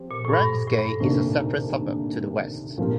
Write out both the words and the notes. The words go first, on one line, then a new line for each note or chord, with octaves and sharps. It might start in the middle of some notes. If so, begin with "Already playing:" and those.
Ramsgate is a separate suburb, to the west.
Already playing: F3 C4 G4
A#2
A2
G2
A2
G2
D2 A2 C3 D#3 A#3 D4
A#2 F3 C4 G4 A#4